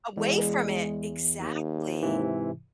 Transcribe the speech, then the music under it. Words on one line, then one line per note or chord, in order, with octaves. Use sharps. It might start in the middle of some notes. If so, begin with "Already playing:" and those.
away from it, exactly.
E2 G#3
D#2
G#2 C3 E3